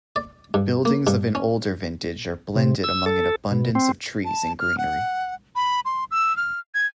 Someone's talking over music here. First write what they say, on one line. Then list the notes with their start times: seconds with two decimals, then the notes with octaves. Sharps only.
Buildings of an older vintage are blended among an abundance of trees and greenery.
0.16 D5
0.54 G2
0.85 A#3
1.07 G2
1.35 C#4
2.56 C3
2.84 E6
3.06 A4
3.52 B2
3.75 C4
4.25 A5
4.59 F6
4.78 F#5
5.56 B5
5.85 C6
6.11 E6
6.37 F6
6.74 G#6